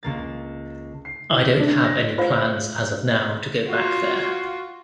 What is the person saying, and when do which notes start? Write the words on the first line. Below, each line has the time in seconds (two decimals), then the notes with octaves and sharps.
I don't have any plans as of now to go back there.
0.03 C#2 A#3 A6
1.05 C7
1.30 E4
1.60 D4
1.84 A#6
2.18 F4 C5 F5
3.69 F4 F#4